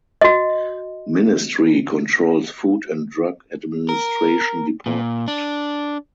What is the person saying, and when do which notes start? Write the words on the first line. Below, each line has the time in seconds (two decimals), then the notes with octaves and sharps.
Ministry controls Food and Drug Administration Department.
0.21 F#4 D#5
3.89 A#4
4.86 A#2
5.28 D4